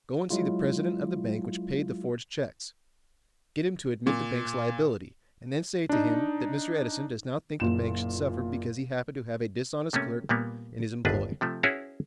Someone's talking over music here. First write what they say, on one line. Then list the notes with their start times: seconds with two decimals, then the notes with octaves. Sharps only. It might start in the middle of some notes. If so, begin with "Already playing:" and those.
Go and see the president of the bank which paid the forged checks. Get him to admit the bank's liability, and then say to him that Mr. Edison does not think the bank should suffer because he happened to have a dishonest clerk in his employ.
0.30 F#3 G#3 E4 F4
4.07 A#2
5.89 D4 D#4
7.60 F#1 A#2 E7
9.93 C3 A3 A#3 C#4
10.29 A#2 G3 A#3 B3
11.05 G1 D#2 A2 D4 G#4 B4
11.41 C3 F3 A3
11.63 C#4 E4 F#4 G#4 B4 C#5